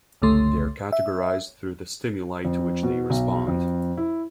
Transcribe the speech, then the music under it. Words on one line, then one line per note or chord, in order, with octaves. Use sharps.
They are categorized through the stimuli to which they respond.
G1 C#2 D3 A3 C6
E5
F2
B2
B1
F2
E4